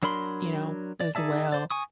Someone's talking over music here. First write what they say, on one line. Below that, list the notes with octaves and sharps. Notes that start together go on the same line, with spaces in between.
you know, as well,
F#3 D4 A#4 B5 C6
D5
D#4 G#4 D5 E5 A5
C5 D5
G#5 C#6 D#6